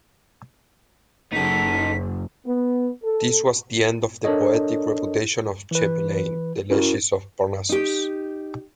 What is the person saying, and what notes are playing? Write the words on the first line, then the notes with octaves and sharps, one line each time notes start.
This was the end of the poetic reputation of Chapelain, the legist of Parnassus.
F#1 D#4 A4 B6
B3
A4
D4 A4 A#4 C#5 D#5
E3 B4
C#4 E4 F#4 A#4
D#4 G4